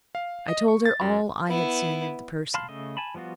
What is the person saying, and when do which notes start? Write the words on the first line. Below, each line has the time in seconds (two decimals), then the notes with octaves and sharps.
I told her all I had seen of the person.
0.15 F5
0.48 D#5
0.68 C#6
0.86 A6
1.01 F#2
1.48 B3 E4
2.54 F5 A5 B5 C6 F6
2.69 C#3 A3 D#5
2.97 G#5 A5 B5
3.15 F3 G3 B3 F4 F#4